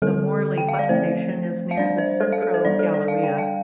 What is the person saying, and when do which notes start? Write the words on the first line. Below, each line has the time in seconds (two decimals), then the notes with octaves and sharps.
The Morley bus station is near the Centro Galleria.
0.02 D3 G3 C4 A4
0.58 G5
0.69 F5
0.79 D5
0.89 F3 A3 C4 C5
1.71 F5
1.77 G3 D4 D5
1.98 C5
2.21 A4
2.32 F5
2.42 A4
2.54 C5
2.65 G3 D4 D5
2.79 A4
2.94 D5
3.08 F5
3.24 G5
3.38 F5